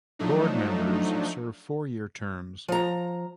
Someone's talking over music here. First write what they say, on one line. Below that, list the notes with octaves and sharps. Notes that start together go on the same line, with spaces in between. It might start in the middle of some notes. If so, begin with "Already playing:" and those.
Board members serve four-year terms.
F3 F#3 A3 D4 D#4
F3 A#5